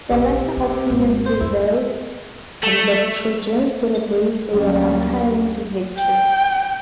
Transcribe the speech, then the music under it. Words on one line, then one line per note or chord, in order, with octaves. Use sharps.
The latter opinion prevails, and the Trojans celebrate their apparent victory.
D#1 A#1 C3
C4
G#1
C5
F2 E4
A3
D2 G2 F#3 G3 A#3 C#4
G5